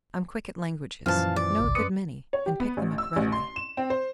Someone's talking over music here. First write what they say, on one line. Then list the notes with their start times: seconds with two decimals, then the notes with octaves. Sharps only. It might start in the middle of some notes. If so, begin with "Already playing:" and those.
I'm quick at languages, know a good many, and pick them up readily.
1.06 F#2 A#2 E3 F3 F4 C5 F5 A5
1.36 D5
1.60 G#1 C#2
1.75 F#2 B4 C6 D#6 C#7
2.33 C#5
2.46 G4
2.60 B3
2.77 A1
2.98 E6
3.16 A1
3.32 C6
3.56 E7
3.77 C4
3.90 C5